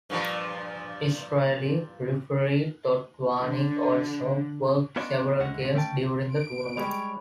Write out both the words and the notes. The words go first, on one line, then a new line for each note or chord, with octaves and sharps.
Israeli referee Todd Warnick also worked several games during the tournament.
G2 A#2 F3
D3
B3 C#4 D4 F4 C#5 D#5
D2 D3 G#3 C#4 F#5
A3 C#4 G5 A5
D7
G3 G#3 G4 C#5 B5